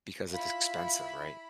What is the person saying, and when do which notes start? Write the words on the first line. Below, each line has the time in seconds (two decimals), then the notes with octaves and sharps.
Because it's expensive, right?
0.33 E4 F4 B5